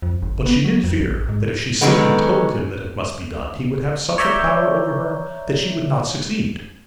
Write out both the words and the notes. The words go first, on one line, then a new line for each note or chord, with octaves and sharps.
But she did fear that if she simply told him that it must be done, he would have such a power over her that she would not succeed.
F2
G1
B3
F#3
F2
A1
G#2
D3 D#3 F#3 G#3 A3 B3
C#5 D5 E5 A#5 G6